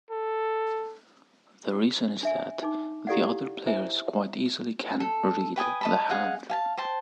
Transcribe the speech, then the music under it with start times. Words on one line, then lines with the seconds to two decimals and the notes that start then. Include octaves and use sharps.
The reason is that the other players quite easily can "read" the hand.
0.10 A4
2.23 D4 E5 G#5
2.62 D4 D#4 D6
3.07 E4 G4 A4 D5 F5 F#5
3.66 E4 C5 E5 G#5
5.00 A4
5.56 B4 G5 G#5 D#6
5.81 D#5 A5 B5
6.09 G#4 D#5 F5 F#5
6.50 F5 G#5 A5
6.77 C5 G5 A5